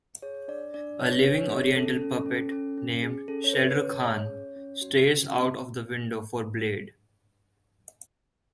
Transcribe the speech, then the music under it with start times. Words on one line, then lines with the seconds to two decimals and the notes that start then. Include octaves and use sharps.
A living oriental puppet, named Shredder Khan, stares out of the window for Blade.
0.22 G#4 C#5
0.48 D4 D5
0.74 D4 D5
0.99 D4 C#5
1.12 B4
1.24 D4 C#5
1.38 C#5
1.50 G#4
1.75 C#4 A4
2.01 C#4
2.26 C#4
2.52 C#4
2.78 C#4
3.03 G#4
3.28 C#4 A4
3.44 C#5
3.53 C#4 B4
3.78 G#4 C#5
4.05 G#4
4.30 C#4
4.56 C#4
4.81 F#4
5.06 C#4
5.32 F#4